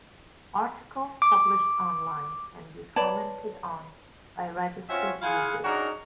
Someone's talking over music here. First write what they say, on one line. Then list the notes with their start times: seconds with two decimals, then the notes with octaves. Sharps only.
Articles published online can be commented on by registered users.
1.22 D6
2.96 B4 C#5 D5 A5
4.90 C4 C#4 F4 F#4 C#5 E5
5.22 E4 F4 G#4 F5 F#5 G#5
5.65 C#3 D4 D#4 F#4 A#4